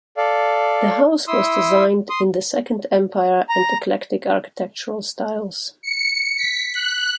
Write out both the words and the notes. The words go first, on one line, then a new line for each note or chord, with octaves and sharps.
The house was designed in the Second Empire and Eclectic architectural styles.
A4 D5 F5
E4 C6 D#6 E6
C6 D#6
A#5
C#7
B6
F#6